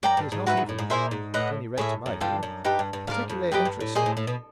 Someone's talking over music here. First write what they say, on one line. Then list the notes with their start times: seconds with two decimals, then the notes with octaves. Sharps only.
He is not even, at any rate to my view, particularly interesting.
0.03 F#2 D5 G5 A#5
0.17 G2
0.32 G#2
0.46 G#2 F#4 B4 E5
0.57 G#2
0.69 A2
0.78 G#2
0.90 A#2 E4 G#4 C5 E5
1.11 G#2
1.34 A2 B4 D#5 F#5
1.77 A2 G#4 C#5 E5
2.06 F#2
2.20 G2 F4 A4 D5 G5
2.43 F#2
2.65 G2 D#4 G4 B4
2.79 G2
2.93 G2
3.07 G#2 A#4 D5 F5
3.30 F2
3.52 F#2 G4 B4 D#5 G5
3.65 G2
3.80 A2
3.95 A#2 G#4 C5 D#5
4.06 A2
4.17 A2
4.27 B2